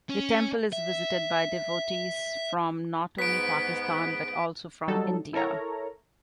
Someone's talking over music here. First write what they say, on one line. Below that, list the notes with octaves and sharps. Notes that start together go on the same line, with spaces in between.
The temple is visited by devotees from not only Pakistan but also from India.
C#4
E5
G#2 B3 B6 D7
F#3 G3 D#4 A4
E4 A4 A#4 C#5 A#5